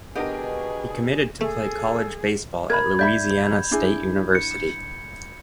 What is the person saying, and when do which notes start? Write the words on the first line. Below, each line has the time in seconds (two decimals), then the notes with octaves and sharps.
He committed to play college baseball at Louisiana State University.
0.15 B2 B3 D4 G4 G#4 A#4 D#5
1.41 A3 G#4 A4
2.70 A#4 B5 G#6
2.99 D5 E5 B5 G6
3.71 D4 E4 G#4
4.35 C#7